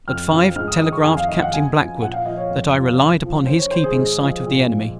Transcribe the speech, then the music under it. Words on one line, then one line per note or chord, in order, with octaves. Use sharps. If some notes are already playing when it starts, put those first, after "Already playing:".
At five telegraphed Captain BLACKWOOD, that I relied upon his keeping sight of the Enemy.
F2 F6
C#3 F3
G#2 F6
D#6
D#3 D#6
C#6
F2 G#5
F5
D#3 D#5
F#5
F#2 G#5
F3
A#2 F#5
F5
F3 D#5
C#5
F2
C3 F3
F#2
F3
F#2 C5
C#5
D#3 C5
G#4
G#2
F3
A#2
F3